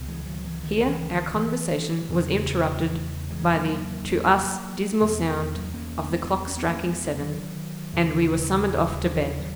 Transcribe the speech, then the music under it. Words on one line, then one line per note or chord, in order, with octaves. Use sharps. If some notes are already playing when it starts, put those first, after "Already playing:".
Here our conversation was interrupted by the, to us, dismal sound of the clock striking seven, and we were summoned off to bed.
Already playing: C#2 B2
E3 G#3
D#3 F#3
E3
D#3
E3
D#3
E3
E2 C#3
E3
E3 G#3
F#3 A#3
E2 B2 G#3 B3
G#3 B3
F#3 A#3
A#3 C#4
G#3 B3
C#4
B3
A#3 C#4
G#3 B3
D#3 F#3
D#2 C#3
F#3
E3
F#3
E3
D#3 F#3